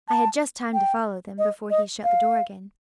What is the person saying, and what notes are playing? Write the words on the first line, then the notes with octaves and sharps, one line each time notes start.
I had just time to follow them, before he shut the door again.
A5
G5
D#5
D#5
F5